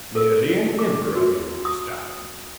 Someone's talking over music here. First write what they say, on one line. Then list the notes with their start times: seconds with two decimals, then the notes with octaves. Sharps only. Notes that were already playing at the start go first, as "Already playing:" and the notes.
"Merely an Emperor, you understand."
0.15 A4 A#4
0.79 D6
1.16 F#4
1.65 D#6